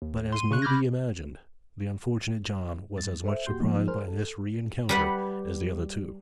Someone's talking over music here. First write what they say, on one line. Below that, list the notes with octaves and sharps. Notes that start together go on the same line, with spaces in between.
But, as may be imagined, the unfortunate John was as much surprised by this rencounter as the other two.
D#2
C6 D#7
C#3 C#6 F#6
B5 D6 F6 G6 G#6 A#6
G2 A6
A4 C5 E5
B1 A#2 F#4 G4 C6 G6
F3 G#3 A#3 D#4
G#4 A#4 C5 F6
A4
G3 B4 F#5